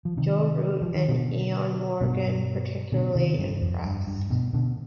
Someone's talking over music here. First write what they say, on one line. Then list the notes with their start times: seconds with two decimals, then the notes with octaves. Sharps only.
Joe Root and Eoin Morgan particularly impressed.
0.05 F3
0.17 C3 D#3
0.81 F3
0.95 D#3
1.08 B2 D3
2.01 G2 B2
2.92 B2 D3
3.15 C3 D#3
3.38 G2
3.61 F2
3.84 G2
4.07 G2
4.30 G2 B2
4.53 B2 D3